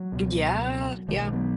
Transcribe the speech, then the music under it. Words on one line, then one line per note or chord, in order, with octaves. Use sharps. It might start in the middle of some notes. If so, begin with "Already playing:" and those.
Eh, g yeah, yeah.
Already playing: F#3
C#2 B2
B1 B2 D#3 G#3
F#3 B3